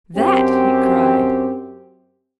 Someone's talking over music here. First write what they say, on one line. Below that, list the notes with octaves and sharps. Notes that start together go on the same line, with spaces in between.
"That!" he cried.
F#2 C4 G4